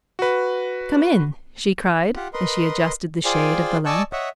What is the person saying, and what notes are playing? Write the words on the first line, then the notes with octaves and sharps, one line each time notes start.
"Come in!" she cried, as she adjusted the shade of the lamp.
F#4 B4
F4 G4 F#5
A#4 B4 D#5 C6
F4 G#4 C5 D5 G5 G#5
D5 D#5 G#5 A5 C#6 E6
C#5 D#5 E5 F#5